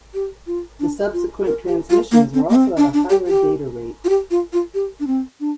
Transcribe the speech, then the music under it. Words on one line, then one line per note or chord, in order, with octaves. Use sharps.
The subsequent transmissions were also at a higher data rate.
G4
F4
D4
F4
A#4
G4
F4
A#3
C4
A#3
C4
D4
D4
G4
G4
F4
G4
F4
F4
G4
D4
C4
D4